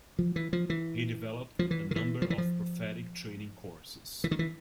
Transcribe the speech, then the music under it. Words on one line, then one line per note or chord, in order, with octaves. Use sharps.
He developed a number of prophetic training courses.
F3
E3
F3
E3
F3
E3
D#3
E3
F3
E3
F3
E3
D#3
E3